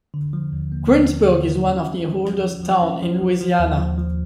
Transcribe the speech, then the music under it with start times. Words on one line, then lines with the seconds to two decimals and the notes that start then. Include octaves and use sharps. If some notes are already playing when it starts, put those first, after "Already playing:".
Greensburg is one of the oldest towns in Louisiana.
0.14 D3
0.33 F3
0.53 D#2
0.72 A#3
0.92 D#2
1.10 F3
1.29 D3
1.49 F3
1.68 C#4
1.86 F3
2.06 F3
2.25 F3
2.45 F3
2.63 F3
2.83 C#4
3.02 F3
3.21 F3
3.41 F3
3.60 D#2
3.78 F3
3.98 F3